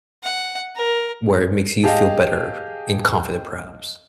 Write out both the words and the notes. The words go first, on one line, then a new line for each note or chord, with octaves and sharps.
where it makes you feel better and confident perhaps.
F#5
A#4
G4 G#4 D#5 F5 A5